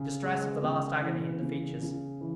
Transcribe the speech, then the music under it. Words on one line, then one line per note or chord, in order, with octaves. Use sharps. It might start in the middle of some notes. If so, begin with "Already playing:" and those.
The distress of the last agony in the features.
Already playing: C#3
G#3
C#3
E3
C#3
C#3
E3